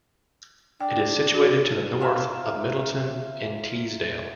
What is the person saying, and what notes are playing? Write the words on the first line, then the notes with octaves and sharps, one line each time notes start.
It is situated to the north of Middleton-in-Teesdale.
D4 G5
F#4
F4 A#4 E5 F5